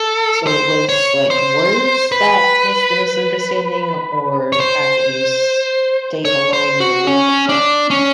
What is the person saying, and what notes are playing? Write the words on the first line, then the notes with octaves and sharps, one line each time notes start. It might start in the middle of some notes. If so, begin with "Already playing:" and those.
So it was, like, words that was the misunderstanding, or the fact that you stayed alone in a room with a girl?
Already playing: A4
C5
C#5
C5
B4
C#5
C5
C#5
C5
F#4
C#4
D4
C#4